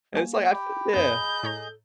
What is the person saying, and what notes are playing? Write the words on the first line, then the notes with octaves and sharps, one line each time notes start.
And it's, like, I f Yeah.
G3 A#3 F#4 G#5
G4 G5 B5
F#2 A#3 B3 G#4 D#5 G6
A2 A4 C#5 A#5